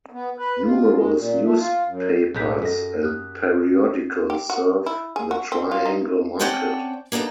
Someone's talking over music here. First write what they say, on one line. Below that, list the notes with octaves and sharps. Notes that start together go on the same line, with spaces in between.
Numerous newspapers and periodicals serve the Triangle market.
B3
B4
F4
G#3
A#2
A3
F4
F#2
B1 A2 G#3 F#6 G6 B6
F#2 A4 D#5 A#6
G4 D#6 F6 F#6
G4
F#4
E4
G#4
F#4
C4
F4
D#4
C4 C#4 D5 F#5 G5 A5
A#3 B3 D4 D#4 A4